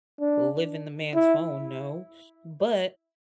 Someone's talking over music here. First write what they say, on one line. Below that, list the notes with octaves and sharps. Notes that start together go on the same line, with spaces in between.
live in the man's phone," no, but
D4
E4